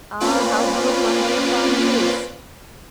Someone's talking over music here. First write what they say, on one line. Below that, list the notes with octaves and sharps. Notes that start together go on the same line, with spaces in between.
"Ah, how good my dear father is!"
A#3 C4 C#4 F4 B4 D5